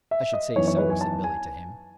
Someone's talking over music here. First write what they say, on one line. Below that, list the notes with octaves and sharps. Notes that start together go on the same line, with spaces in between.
"I should say so," said Billy to him.
E5
D#5
F#2 E3 B3 D#4 C#5
C#5
B4
G#5
A5
G#5